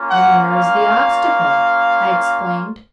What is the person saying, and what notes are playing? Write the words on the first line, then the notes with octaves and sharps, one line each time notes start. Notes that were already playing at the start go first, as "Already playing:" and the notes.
"Then where is the obstacle?" I exclaimed.
Already playing: A#3 C#4 F4
F#5
F5